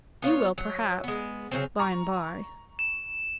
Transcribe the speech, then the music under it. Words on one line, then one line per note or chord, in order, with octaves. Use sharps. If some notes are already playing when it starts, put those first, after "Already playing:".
You will, perhaps--bye and bye.
B3 F4 C#5
F#3
G#3 B3
C#3 F#3 C4
A#5 C#6
E7